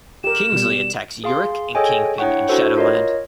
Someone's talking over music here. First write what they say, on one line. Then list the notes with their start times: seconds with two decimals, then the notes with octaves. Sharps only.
Kingsley attacks Urich and Kingpin in Shadowland.
0.24 G4 A#4 E7
0.52 B2 G3
1.24 G#4 F5 C6
1.75 G#4 A4 C#5 D#5 G5 G#5
2.18 D4 E4 C#5 F#5 G5 C#6
2.49 D4 E4 F#4 A4 C5
2.77 F4 A#4 C#5 D#5